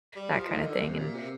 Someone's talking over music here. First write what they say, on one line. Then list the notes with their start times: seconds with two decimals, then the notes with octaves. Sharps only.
that kinda thing, and
0.16 G3
0.33 F3
0.49 D#3
0.65 D3
0.82 C3
0.98 A#2
1.14 C3